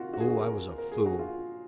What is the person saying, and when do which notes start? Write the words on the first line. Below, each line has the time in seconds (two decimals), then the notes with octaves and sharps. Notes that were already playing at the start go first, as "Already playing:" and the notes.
Oh, I was a fool!
Already playing: C3 D#3 A#3 F4 F#4
0.13 F#4
0.20 G#4
0.27 F#4
0.40 A#4
0.78 A#4
0.91 G#4
1.06 F#4
1.19 F4